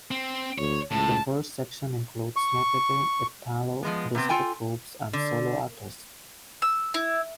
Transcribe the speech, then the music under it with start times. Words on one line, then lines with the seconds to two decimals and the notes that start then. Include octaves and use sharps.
The first section includes notable Italo disco groups and solo artists.
0.11 C4
0.58 D2 C#5
0.91 C#2 A2 A5
2.36 C#6
3.83 F3 G#3 B3
4.15 C3 B3 C4
4.29 F4 A4 G5 G#5
5.13 D3
6.62 E6
6.94 E4